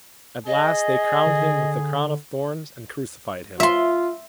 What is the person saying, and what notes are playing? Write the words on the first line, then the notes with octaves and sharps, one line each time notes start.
At last they crowned Him with the crown of thorns and crucified Him.
G#4 D#5
D3
F4 E5 C6